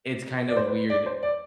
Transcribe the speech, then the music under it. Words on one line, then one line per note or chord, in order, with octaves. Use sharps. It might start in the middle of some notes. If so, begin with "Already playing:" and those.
it's kind of weird
D5
C5
B4
D5
C5
D5